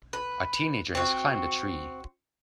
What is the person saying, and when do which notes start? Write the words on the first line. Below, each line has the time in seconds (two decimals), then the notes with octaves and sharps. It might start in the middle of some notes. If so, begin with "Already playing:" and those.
A teenager has climbed a tree.
0.13 B4
0.95 C4 F#4